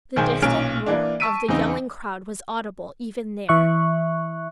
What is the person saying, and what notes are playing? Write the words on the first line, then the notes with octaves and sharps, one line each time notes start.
The distant roar of the yelling crowd was audible even there.
B1 D#3 G#3 C5 G5 G#5
B1 A#2 C#4 F6 D7
E3 A#3 D4
A5 C#6 E6 B6 D7 D#7
E2 C#3 C4 D#4
E3 E5 C#6 F#6